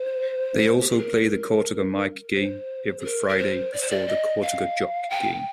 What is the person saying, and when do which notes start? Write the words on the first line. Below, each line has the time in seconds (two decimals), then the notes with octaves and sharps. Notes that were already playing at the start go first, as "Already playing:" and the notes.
They also play the Cortaca Mic game every Friday before the Cortaca Jug game.
Already playing: C5
0.81 G4
0.90 G#4
0.99 A#4
2.35 C5
2.99 G#4
3.05 A#4
3.29 A#4
3.38 C5
3.73 D5
3.81 C5
3.90 D5
4.08 D#5
4.42 F5
5.10 G5